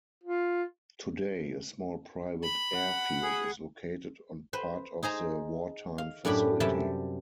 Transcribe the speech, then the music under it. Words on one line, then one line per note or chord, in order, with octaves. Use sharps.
Today, a small private airfield is located on part of the wartime facility.
F4
B5
F#5
G#4
B4 C5
D#4 G#4 C5 A#5
F5
F#2 A2 D4 G4 B5
F#2 C3 G3 G4 E5 A5